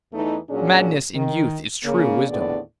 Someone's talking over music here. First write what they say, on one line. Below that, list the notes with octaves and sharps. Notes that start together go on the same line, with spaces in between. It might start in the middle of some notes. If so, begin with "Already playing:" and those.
'Madness in youth is true wisdom.
E2 E3 A3 D#4
A#2 F#3 C#4 D4 G#4
D#3
C#3 A#3
D#2 A2 D3 B3 G#4 D5